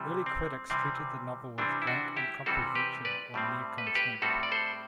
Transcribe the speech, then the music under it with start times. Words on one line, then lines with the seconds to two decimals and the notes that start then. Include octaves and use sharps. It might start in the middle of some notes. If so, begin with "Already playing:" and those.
Early critics treated the novel with blank incomprehension or near-contempt.
Already playing: C3 E3 G3
0.26 C4
0.70 C3 E3 G3 C4
1.58 C3 E3 G3 C4 D4
1.82 E4
1.87 D4 F#4
2.17 E4 G4
2.46 C3 E3 G3 C4 F#4 A4
2.75 G4 B4
3.05 B4 D5
3.34 A2 G3 C4
3.78 B4
3.87 A4
3.95 G4 B4
4.22 A2 G3 C4 F#4 A4
4.43 D5
4.52 A4 C5